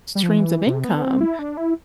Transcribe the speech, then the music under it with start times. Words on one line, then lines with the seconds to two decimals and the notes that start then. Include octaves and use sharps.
streams of income,
0.15 G3
0.23 F3
0.30 E3
0.67 C3
0.84 B3
1.02 C4
1.21 E4
1.39 D4
1.57 E4